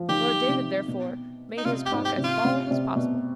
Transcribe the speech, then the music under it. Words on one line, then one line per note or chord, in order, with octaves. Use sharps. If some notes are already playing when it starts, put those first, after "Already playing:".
Lord David, therefore, made his cock as bald as possible.
Already playing: F3
D#3 G4
C3
B2
D#4
C3 F4
G4
G#2
G4
C3
F4
C3
C3
B2